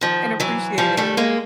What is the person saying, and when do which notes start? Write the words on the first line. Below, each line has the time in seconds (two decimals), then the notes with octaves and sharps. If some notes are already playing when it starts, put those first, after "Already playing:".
and appreciate it.
0.01 D#3 F3
0.40 E3 F#3
0.78 F3 G3
0.97 G3 A3
1.17 G#3 A#3